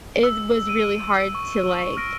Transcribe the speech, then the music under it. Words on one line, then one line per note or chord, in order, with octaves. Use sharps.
it was really hard to, like,
E6
D7 D#7
C#6
F6 A#6 D7